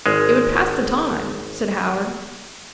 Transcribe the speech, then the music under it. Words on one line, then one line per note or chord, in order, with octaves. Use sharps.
"It would pass the time," said Howard.
G#1 G#3